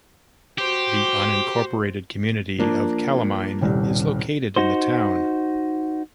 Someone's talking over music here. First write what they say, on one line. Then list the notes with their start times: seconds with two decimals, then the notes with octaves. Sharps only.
The unincorporated community of Calamine is located in the town.
0.58 F#4 G4 C5
2.59 F3 A#3 D4
3.61 D#1 C2 G2
4.56 D#4 F#4 C5